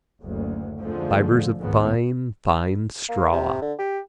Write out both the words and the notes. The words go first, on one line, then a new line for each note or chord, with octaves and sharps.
Fibres of fine fine straw.
F#1 D2
F2 D3 F3 G#3 A3
C#2 G#2 D#3 B3
A#3
C3
D3
G4